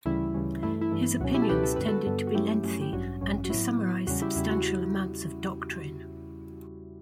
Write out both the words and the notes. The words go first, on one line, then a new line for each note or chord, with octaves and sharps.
His opinions tended to be lengthy and to summarize substantial amounts of doctrine.
D2 C#3 E3 G3 C#4 E4
D2 C#3 E3 G3 C#4
G2 E3 A3 E4
E4
G2 E3 A3
C#2 B2 F#3 C#4 F#4
E4 G4
A4
C#2 B2 F#3 C#4 G4 B4
A4
G2 D3 G3 B3 B4
F#4 A4
G2 D3 G3 B3
F#4
G2 F#3 A3 C#4 E4 G4
G2 F#3 A3 C#4
G4
A1 G2 F#3 C#4 F#4
A1 G2 F#3 C#4
F#4
A2 F#3 B3 E4
A2 F#3 B3
E2 C#3 G3 C#4 F#4
E4 G4
E2 C#3 G3 C#4 E4
F#4